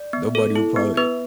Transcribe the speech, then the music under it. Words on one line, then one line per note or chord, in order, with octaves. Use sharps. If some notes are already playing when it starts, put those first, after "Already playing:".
Nobody will probably
Already playing: D5
B3
A4
E4
B3
B3 B4